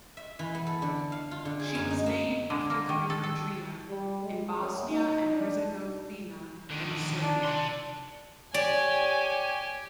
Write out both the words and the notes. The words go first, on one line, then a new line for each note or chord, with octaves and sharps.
She was named after the river Drina in Bosnia and Herzegovina and Serbia.
E5
E3
B3
A4
D3
F5
F4
D3
G#4
F#2
D#4
A#3
D3
A#3
D#3
A4
A4
G3
G#3
F#2
D#4
D4
D3 D#3
D4
D5 C6
G4 C#5 D5 G#5